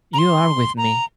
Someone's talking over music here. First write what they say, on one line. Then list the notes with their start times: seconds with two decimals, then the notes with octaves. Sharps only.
You are with me.
0.13 A#5
0.18 C6
0.78 A#5